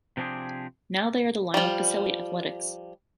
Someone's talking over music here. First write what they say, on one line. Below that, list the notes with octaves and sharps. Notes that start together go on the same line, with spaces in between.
Now they are the Lyle-Pacelli Athletics.
C3 F3 C4 D4 G4 G#4
F3 G3